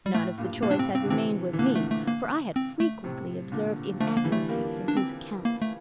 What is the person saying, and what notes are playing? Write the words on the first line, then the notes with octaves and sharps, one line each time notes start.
"Not if the choice had remained with me, for I had frequently observed inaccuracies in his accounts."
G3
A2 A3
G2 A#2
A2 C3 A#3
D4
C4
C4
D3
C3 E3 C4
E3
A#2 D3 A#3
A3
A3
A#3
C4
A3
A2 C3
A#2 D3
D3 F3 A3
A#3
E3 G3
A3
G3 A#3
D4
C4
A#3
A3